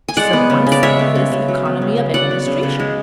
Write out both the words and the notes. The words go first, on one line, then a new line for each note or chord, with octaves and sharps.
To serve oneself is economy of administration.
G#5
G#3 D5 F#5
B3
C#3
C#3
D5
G#3 C#5 E5
B3
C#3
C#3
F#3
B3
C#3
C#3
F#3 D5 F#5
B3
C#3
C#3
G#3